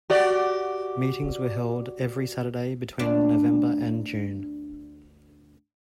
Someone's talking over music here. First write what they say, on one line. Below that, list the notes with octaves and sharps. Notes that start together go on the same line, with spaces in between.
Meetings were held every Saturday between November and June.
F#4 G4 D5
D2 D4